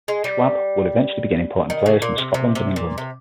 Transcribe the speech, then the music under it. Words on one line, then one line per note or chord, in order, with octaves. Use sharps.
Schwab would eventually begin importing players from Scotland and England.
G#3
G3
D#3
C#3
A#2
C3
C3
C3
A#2
C3